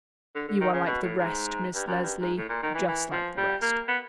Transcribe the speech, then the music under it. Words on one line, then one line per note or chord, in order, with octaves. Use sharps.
You are like the rest, Miss Leslie; just like the rest.
D3
D3
D#3
C#3
B2
A2
G#2
G2
F#2
G2
G#2
A2
A#2
D#3
E3
E3
F3
G3
A#3
B3